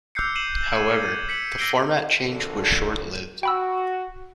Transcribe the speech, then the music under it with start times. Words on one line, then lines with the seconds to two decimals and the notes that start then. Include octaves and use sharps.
However, the format change was short lived.
0.15 D6 E6 F#6 G6 C7 C#7
0.35 C7 D#7 E7 F#7
0.73 G#6 D#7
1.03 D#7
1.29 B6 C#7 F#7
1.58 E6 A#6 C7 D7 G7
2.21 A#1 D3
3.43 F#4 G5 B5 E6